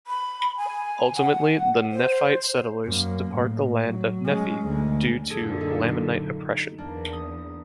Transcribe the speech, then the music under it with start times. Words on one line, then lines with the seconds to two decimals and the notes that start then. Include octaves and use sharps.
Ultimately the Nephite settlers depart the land of Nephi due to Lamanite oppression.
0.07 B5
0.57 G#5
1.16 F#5
1.92 C5
2.86 F#2 A#3
3.32 A2
3.82 F#3
4.25 G#3 C#4
4.67 D2 G#3
5.30 F#2 A#2 D3 G#4 A4
5.60 D#4 A4
6.78 E2 A#3 D4
7.13 D#6